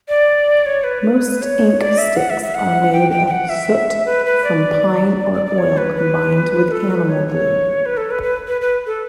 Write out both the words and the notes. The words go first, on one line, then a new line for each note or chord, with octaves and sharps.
Most inksticks are made of soot from pine or oil combined with animal glue.
D5
C#5
B4
B4
C#5
D5
E5
F#5
E5
E5
F#5
G5
G5
G5
F#5
E5
B4
B4
D5
D5
D5
D5
C#5
B4
B4
A4
B4
C#5
C#5
B4
A4
B4
B4
B4
B4
A4